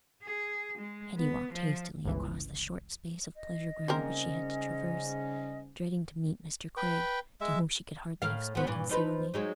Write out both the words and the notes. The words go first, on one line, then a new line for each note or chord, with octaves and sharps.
Hetty walked hastily across the short space of pleasure-ground which she had to traverse, dreading to meet Mr. Craig, to whom she could hardly have spoken civilly.
G#4
G#3
B3
F3
G1 C#2 E3
D#5
G#2 C#3 G3 A#3 C4 C#4 A#4
B4 G5
G#3 E5
A2 A#4 F5
F3 B3
G2 A#2 E3
F3 D#4 B4
F#3 G#3 D#4